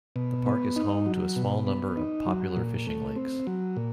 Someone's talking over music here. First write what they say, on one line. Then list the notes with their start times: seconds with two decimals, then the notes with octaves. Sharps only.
The park is home to a small number of popular fishing lakes.
0.16 B2
0.46 B3
0.76 D#4
1.06 F#3
1.36 B2
1.67 B3
1.97 D#4
2.27 F#3
2.56 A#2
2.87 A3
3.16 C4
3.47 F#3
3.77 A#2